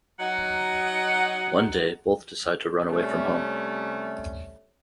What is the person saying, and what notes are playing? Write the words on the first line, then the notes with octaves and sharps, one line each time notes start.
One day both decide to run away from home.
F#3 D#4 F#5
C3 G3 A3 C#4